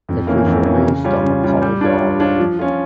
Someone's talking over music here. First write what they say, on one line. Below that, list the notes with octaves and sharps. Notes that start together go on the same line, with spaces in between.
It was released on the Polydor label.
F2
E3 A#3 C#4
F2
E3 A#3 C#4
C#3
G3 C#4 F4
C#3
G3 C#4 F4
G3
D4 F4 C#5
G3
D4 F4 C#5
F3
C#4 F4